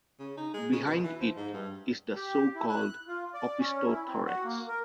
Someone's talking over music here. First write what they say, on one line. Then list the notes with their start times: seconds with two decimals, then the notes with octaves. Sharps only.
Behind it is the so-called opistothorax.
0.19 C#3
0.37 D#4
0.54 G#3
0.72 C#3
0.86 B2
1.04 E3
1.20 F3
1.36 G#2
1.54 G2
2.16 G4
2.55 E4
2.69 F#6
3.08 F4
3.34 D5
3.60 C#4
3.87 E4
4.07 C4
4.25 F#4
4.44 A#3
4.68 A#4